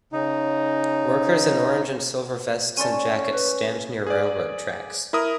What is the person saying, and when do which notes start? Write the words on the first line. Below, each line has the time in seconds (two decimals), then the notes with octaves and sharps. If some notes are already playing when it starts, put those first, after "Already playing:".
Workers in orange and silver vests and jackets stand near railroad tracks.
0.13 C#3 D#4
2.77 C#4 C#5 D5 A5 C6 D#7
3.33 B4
4.07 G#4 D5
5.13 E4 A#4 D#6